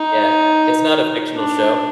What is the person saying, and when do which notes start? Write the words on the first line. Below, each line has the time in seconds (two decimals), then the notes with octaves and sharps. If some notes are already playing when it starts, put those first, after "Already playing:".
Yeah, it's not a fictional show.
Already playing: D#4
1.36 D4